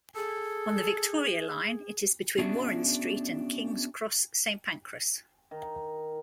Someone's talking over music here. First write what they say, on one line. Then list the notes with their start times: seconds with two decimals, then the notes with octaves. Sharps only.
On the Victoria line it is between Warren Street and King's Cross Saint Pancras.
0.16 G#4 A4
2.38 B3 C#4 D4 F#4 G#4 E5
5.51 D#3